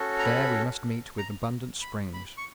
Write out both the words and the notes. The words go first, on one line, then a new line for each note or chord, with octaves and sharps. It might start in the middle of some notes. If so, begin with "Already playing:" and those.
There we must meet with abundant springs.
Already playing: C#4 F#4 A4
A#5
B5
A#5
B5
B5
C#6